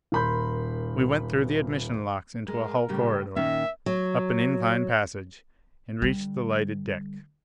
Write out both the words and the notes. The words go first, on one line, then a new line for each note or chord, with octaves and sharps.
We went through the admission locks into a hull corridor, up an incline passage, and reached the lighted deck.
D#1 A#4 B5 C6 G6
G#3 A#4
A2 C#3 G3
A#2 D#3 C#4 E5
F#3
D3 G3